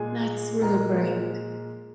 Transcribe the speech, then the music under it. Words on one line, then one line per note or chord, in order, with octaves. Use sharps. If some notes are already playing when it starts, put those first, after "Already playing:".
That's really great.
Already playing: A#2 G#3 G#4 G#5
A#2 G#3 A#4 A#5